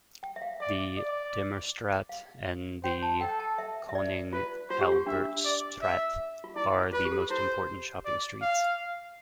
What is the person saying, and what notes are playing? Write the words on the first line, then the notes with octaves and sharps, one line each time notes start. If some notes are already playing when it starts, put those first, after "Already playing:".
The Demerstraat and the Koning Albertstraat are the most important shopping streets.
G5
E5
F5
D5 E5
D5
F5
C5 G5
A5
A4 G5
A5
E5
E5
D5
F4 B4
F4 C5
G4
F4
D4 E5
D5
E5
F4
E4 D5
E4
F4 B4
G4
A4
E4 C5
D5
F5